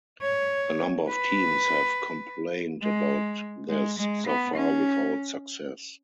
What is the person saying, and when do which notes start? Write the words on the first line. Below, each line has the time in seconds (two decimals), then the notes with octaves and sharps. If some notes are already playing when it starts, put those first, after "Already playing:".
A number of teams have complained about this, so far without success.
0.22 C#5
1.09 B4
2.82 G#3
3.70 G#3
3.98 G#3
4.27 B3
4.56 C#4